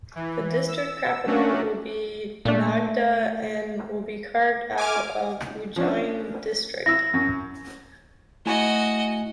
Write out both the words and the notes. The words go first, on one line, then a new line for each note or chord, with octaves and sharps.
The district capital will be Nagda and will be carved out of Ujjain district.
E3
E6
F#3 A3 C#4 D4 F#4
A#2 A3 D4
G#5 D6 F6
F3 C#4 D4
E4 E6 A#6
F#2
A3 E4 F#4 D#5 G#5